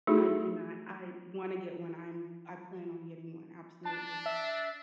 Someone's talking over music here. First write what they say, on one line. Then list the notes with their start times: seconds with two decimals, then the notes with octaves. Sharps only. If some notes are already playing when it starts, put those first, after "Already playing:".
I do not, I wanna get one, I’m I plan on getting one, absolutely.
0.07 A3 D#4 E4 F#4 G#4 A4
3.85 D4 A5
4.26 E5